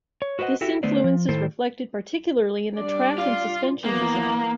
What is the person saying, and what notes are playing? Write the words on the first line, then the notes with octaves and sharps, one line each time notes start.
This influence is reflected particularly in the track and suspension design.
C#5
F#4 B4 C5 D#5 F#5
E4 F#4 G4 A4 E5
D3 A3 B3 C5 D5
F3
A2 D#3 E4 A4 C5
G3 D4 D5
F4
E3 A#3 B3